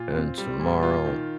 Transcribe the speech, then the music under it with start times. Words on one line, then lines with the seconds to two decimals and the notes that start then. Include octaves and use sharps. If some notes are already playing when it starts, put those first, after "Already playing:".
"And tomorrow,
Already playing: A#2 F4
0.15 C4
0.38 G3
0.60 A#2
0.83 F4
1.06 D#3